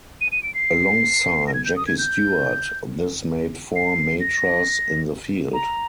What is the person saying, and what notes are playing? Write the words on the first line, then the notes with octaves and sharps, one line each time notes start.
Alongside Jackie Stewart, this made four Matras in the field.
D#7
D#7
D7
C7
A#6
G#6
G6
D#6
G#6
G6
C7
A#6
A#5